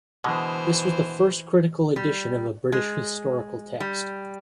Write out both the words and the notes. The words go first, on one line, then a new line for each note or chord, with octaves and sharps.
This was the first critical edition of a British historical text.
B2 D3 E3 G#3 C5
G3
G#3
G3